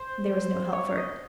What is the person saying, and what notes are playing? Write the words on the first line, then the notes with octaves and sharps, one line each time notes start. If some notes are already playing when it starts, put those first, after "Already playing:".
There was no help for it.
Already playing: C5
C#5
C#5
D#5